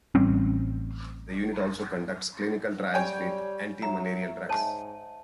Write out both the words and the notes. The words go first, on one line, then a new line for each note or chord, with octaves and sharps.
The unit also conducts clinical trials with antimalarial drugs.
A1 G3 C4 C#4
G3 C#5 G5 G#5
F#3 E5 A#5
G#2 C#5 G#5 A5